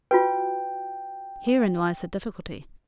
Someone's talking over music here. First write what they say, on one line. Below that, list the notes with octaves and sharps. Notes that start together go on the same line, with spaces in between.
Herein lies the difficulty.
F4 F#4 B4 G5